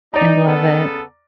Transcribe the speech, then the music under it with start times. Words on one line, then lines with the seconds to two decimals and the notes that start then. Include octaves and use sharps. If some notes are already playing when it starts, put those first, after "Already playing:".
I love it.
0.14 D#4 D5 A#5
0.46 C#3 B3 A4